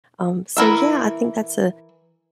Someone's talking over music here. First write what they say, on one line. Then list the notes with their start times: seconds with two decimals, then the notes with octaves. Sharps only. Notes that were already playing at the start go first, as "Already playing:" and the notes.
Um, so yeah, I think that's a
0.57 E3 E4 A#4 E5